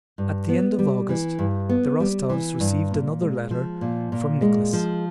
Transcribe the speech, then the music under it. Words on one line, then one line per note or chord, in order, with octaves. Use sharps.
At the end of August the Rostovs received another letter from Nicholas.
G2
B3
G3
E3
G2
B3
G3
E3
G2
A#2
G#3
F3
A#2
A#2
G#3
F3